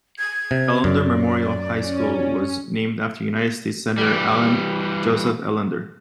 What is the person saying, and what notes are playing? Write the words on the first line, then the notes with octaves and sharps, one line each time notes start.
Ellender Memorial High School was named after United States Senator Allen Joseph Ellender.
G#6
C3
F#2 D5
C#4
E3 G3